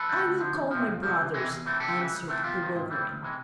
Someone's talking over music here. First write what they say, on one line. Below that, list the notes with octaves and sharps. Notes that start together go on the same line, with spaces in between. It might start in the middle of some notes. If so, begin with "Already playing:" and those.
'I will call my brothers,' answered the wolverine.
Already playing: A4 B4
C#3 E3 G3
D2
D3 F3
E2
C3 F3
F2
C3 F3
C#2
C3 E3 G#3
E2
C3 E3 A3
D2 G4 A4
C#3 E3
C#2
C3 E3 A3
E2 F4 G4
C3 D#3
G#2
E3 G3
D2
C3 E3 G#3